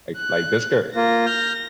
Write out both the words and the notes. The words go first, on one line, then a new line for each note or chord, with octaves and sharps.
Like like, Discor
F#6
A#3 F4 A#6
F6 G6